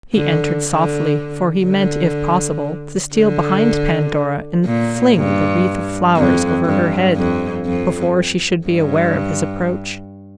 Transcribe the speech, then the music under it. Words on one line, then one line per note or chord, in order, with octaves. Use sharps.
He entered softly, for he meant, if possible, to steal behind Pandora, and fling the wreath of flowers over her head, before she should be aware of his approach.
D3
D3
D3
D3
A#2
G2
F2
G2
F2
F2
G2